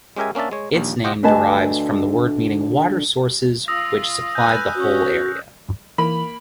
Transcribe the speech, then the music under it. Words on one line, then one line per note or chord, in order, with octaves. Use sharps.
Its name derives from the word meaning water sources which supplied the whole area.
G#3 C#4 G4 A#4 E5 G#5
A#3 C#4 D4 E5 A5
G#3 C#5
A#1 D#2 A#2
F4 G4 C5 D#5 F#5
D2 D3 B4 D#5 G#5 A5
F4 D#6 E6 A#6
B4 G#5 F#6 G6
C#4 F#4
E3 A#3 B5